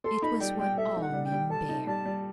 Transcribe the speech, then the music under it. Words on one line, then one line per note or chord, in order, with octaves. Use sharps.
It was what all men bear.
A4 C6
D#4 B5
G3 G5
G3 G5
A4 E5
D#4
F#5
G3
G5
G3
A4 A5
D#4
G3 A5
G3